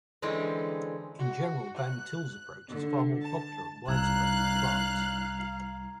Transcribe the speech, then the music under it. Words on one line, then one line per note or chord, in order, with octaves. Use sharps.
In general, Van Til's approach is far more popular and widespread than Clark's.
D3 E3 G#3 C4 C#4
F#4
F#6
D3
A5
C2 F5 A#5 E6 F#6 G#6